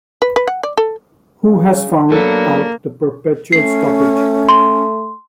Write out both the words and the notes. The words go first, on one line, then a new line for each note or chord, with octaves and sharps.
Who has found out the perpetual stoppage?
B4
B4
F#5
D5
A4
C#3
F#3 A#3 B3 D4 A4
A3 C#4 C7
C6